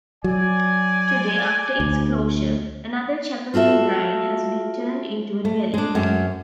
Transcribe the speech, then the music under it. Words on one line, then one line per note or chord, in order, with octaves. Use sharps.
Today, after its closure, another chapel in Bryn has been turned into a dwelling.
F#3 D5 G#5
D2
F4 F#4 A4 E5
A3
G#3 D4
F#2 C#4